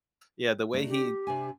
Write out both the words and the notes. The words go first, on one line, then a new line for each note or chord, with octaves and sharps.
yeah, the way he
A3 D4 D#4
G4
C3 D4 G#5